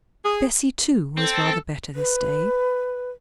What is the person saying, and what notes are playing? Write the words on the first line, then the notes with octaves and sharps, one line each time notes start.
Bessy, too, was rather better this day.
G#4
C4 A4
B4